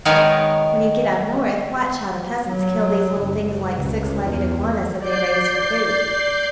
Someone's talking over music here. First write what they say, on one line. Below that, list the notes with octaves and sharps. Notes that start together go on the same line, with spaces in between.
"When you get up north, watch how the peasants kill these little things like six-legged iguanas that they raise for food."
D#3 G#3 B3 A#4 B4 C#5
F#3
F#1
C#2
E2
D5 G6 C7